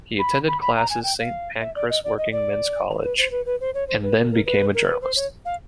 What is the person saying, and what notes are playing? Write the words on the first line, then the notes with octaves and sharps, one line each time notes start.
He attended classes Saint Pancras Working Men's College and then became a journalist.
B5
B5
B5
A#5
G#5
G5
F5
E5
D5
D#5
D5
D#5
D5
B4
C5
B4
B4
C5
C#5
C5
B4
A#4
A#4
B4
A#4
B4
C5
C#5
F5